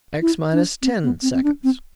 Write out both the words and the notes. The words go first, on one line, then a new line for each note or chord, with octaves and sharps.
X minus ten seconds.
E4
D4
C4
B3
C4
C4
D4
C4